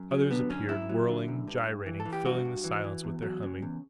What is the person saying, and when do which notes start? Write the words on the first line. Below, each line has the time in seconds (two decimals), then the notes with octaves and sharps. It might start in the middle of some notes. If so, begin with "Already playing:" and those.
Others appeared, whirling, gyrating, filling the silence with their humming.
Already playing: F#2
0.11 F#3 C#4
0.31 D3 B3
0.50 F#2 C#4
0.69 F#2 E4
0.89 F#3
1.08 D3
1.28 F#2
1.48 G2
1.67 G2
1.86 E3
2.00 A4
2.05 E3
2.13 G4
2.25 G2 F#4
2.45 G2
2.64 E3
2.84 E3
3.04 E2
3.22 F#3
3.43 C#3
3.62 E2